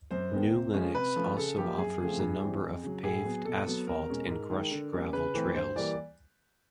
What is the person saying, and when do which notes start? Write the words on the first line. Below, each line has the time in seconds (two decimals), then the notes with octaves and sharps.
New Lenox also offers a number of paved asphalt and crushed gravel trails.
0.11 F#2 C5
0.32 D#3 G#3 B3
0.53 C3
0.73 F3 G#3 C#4
0.95 C3 B4
1.16 F3 A3 C#4
1.37 C#3 A4
1.57 F3 A#3 G4
1.78 F#2 G#4
1.99 C#3 F3 A3 C4 G#4
2.20 G2
2.41 E3 G3 C4
2.61 F2
2.83 C#3 F#3
3.03 A2 G#4
3.24 F#3 B3
3.45 B2 A4
3.67 F#3 B3
3.87 E2 A#4
4.08 B2 G#3 C#4
4.29 G#2
4.50 D#3 G#3
4.71 D3
4.92 G3 A#3 C#4
5.13 C#3 B4
5.34 E3 A3 C4
5.55 G2 C5
5.76 E3 G3 A#3 D5